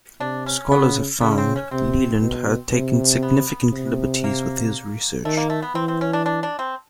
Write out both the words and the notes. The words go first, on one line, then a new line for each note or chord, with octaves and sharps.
Scholars have found Leland had taken significant liberties with his research.
C3 D4
C#4
C#3 B3
C#3 B3
C#4
C4
C#4
C3 C4
B2
C3
B3
C3
A#3
D#3 A3
A#3
A3
B3
E3 C4
C4
C#4
D4
D4
D4
C4